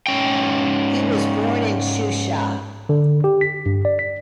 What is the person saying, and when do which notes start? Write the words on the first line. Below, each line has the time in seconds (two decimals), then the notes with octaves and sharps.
He was born in Shusha.
0.07 G#2 C#4 G5
2.89 D3
3.24 G4
3.41 B6
3.66 G2
3.85 D5
3.99 B6